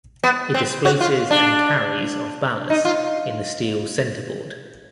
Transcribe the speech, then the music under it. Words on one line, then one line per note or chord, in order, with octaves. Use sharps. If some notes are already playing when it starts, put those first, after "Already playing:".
It displaces and carries of ballast in the steel centreboard.
B3
C4
F#4
F4
D4
D#4
F4